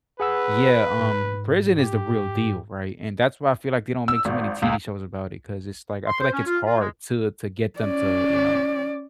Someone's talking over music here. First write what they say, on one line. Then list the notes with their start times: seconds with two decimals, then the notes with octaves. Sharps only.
yeah, um, prison is the real deal, right? And that's why I feel like they don't make too many TV shows about it 'cause it's, like, I feel, like, it's hard to, uh, to to get them to, you know
0.20 G#4 B4 F#5 E6
1.00 G#2
1.79 G4
4.08 E6
4.25 G#1
4.62 C#2
6.07 C6
6.20 C5
6.33 C#4
6.47 F4
6.66 F4
6.79 G#3
7.80 C#4 D5